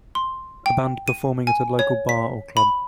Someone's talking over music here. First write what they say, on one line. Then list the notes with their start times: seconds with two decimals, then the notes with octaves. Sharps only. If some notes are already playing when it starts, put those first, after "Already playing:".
A band performing at a local bar or club.
0.15 C6
0.66 G5
1.08 D#7
1.47 G#5
1.79 C#5
2.09 B6
2.57 B5